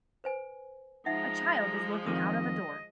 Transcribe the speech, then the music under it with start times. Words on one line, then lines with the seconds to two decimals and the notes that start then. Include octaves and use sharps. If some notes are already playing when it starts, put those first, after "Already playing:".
A child is looking out of a door.
0.24 B4 C5 G#5
1.06 F3 G#3 D#4 E5 F#5 A#5
2.06 F2 D#3 D#5 D#6